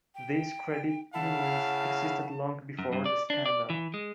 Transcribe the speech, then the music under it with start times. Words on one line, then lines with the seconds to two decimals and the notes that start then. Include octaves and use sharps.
These credit unions existed long before the scandal.
0.15 G5
1.14 C#3 E4 F5 F#5 A5
2.79 F#2
2.93 G2
3.06 D5
3.30 D4
3.46 D5
3.70 E3
3.94 G#3